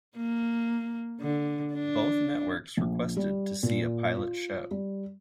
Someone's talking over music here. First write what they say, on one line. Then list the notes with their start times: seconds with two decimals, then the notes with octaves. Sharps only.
Both networks requested to see a pilot show.
0.16 A#3
1.21 D3
1.74 D4
2.77 A#1
3.17 G3
3.63 A#2
4.16 F4
4.71 G3